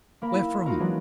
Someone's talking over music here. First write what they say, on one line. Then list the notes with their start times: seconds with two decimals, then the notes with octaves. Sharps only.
"Where from?"
0.22 A#3 A#4 B5
0.34 E4
0.66 D#4 F4 F#4 A#4
0.79 E3 F#3 G#3 D4